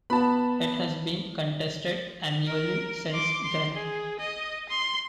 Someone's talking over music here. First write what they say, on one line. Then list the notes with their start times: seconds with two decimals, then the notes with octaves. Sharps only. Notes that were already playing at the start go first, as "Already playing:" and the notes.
It has been contested annually since then.
0.10 B3 A5 B5
2.47 A#4
3.10 C6 D6
3.43 C6
3.74 G#4
4.20 D#5
4.69 C6